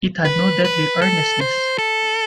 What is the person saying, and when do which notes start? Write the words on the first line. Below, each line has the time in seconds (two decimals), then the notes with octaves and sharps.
It had no deadly earnestness.
0.25 B4
0.64 B4
1.02 A4
1.41 C5
1.78 A4